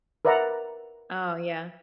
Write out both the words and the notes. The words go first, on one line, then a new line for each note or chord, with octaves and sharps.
Oh yeah.
A#4 B4 D5 E5 F#5 A#5